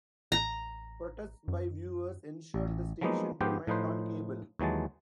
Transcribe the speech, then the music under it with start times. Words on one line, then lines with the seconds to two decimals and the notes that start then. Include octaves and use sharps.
Protests by viewers ensured the station remained on cable.
0.32 A1 A#5
1.48 F#2
2.54 A1
3.01 F3 F#3 G#3 A#3 B3 D#4
3.41 G#2 F3 B3 G4 C5 G5
3.67 A2 F3 D#4 B4 C5
4.59 D#2 E3 F#3 G#3 A5